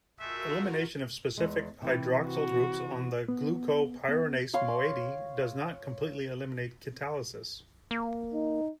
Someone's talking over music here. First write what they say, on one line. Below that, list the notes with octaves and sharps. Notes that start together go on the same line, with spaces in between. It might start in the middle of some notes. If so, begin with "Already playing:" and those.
Elimination of specific hydroxyl groups on the glucopyranose moiety does not completely eliminate catalysis.
G#3 A3 F4 F#4 A#4 E5
E2 G#3
C3 E3 C4
F#4
B3
B3
C#5 F5 C6
A#3
D#4